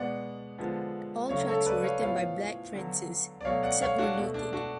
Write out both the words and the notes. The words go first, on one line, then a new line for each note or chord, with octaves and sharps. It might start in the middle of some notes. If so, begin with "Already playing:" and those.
All tracks were written by Black Francis, except where noted.
Already playing: B2 G#3 B3 D5 F#5
D3 F3 G#3 B3
C#3 F#3 A3 C#5 F5
A4 C#5
B4 D5
C#5 F5
A2 F3 B3 C#5 F5
D3 F#3 B3
D5
B2 F#3 A3 C#5 F5
D5 F#5
C#5 F5
D4 F#4
B2 A3
D4
D4 F#4